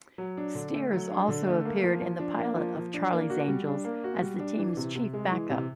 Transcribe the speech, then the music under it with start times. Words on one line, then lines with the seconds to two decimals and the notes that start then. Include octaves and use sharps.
Stiers also appeared in the pilot of "Charlie's Angels" as the team's chief back-up.
0.18 F#3
0.37 D4
0.55 D3
0.74 A3
0.93 F#3
1.11 D4
1.28 D3
1.47 A3
1.65 A#3
1.84 F3
2.02 F3
2.20 D4
2.39 A#3
2.56 F3
2.75 F3
2.94 D4
3.11 A#3
3.30 F#4
3.48 G3
3.67 D4
3.85 A#3
4.04 F#4
4.22 G3
4.40 D4
4.58 E3
4.77 C3
4.95 C3
5.13 G#3
5.32 E3
5.50 C3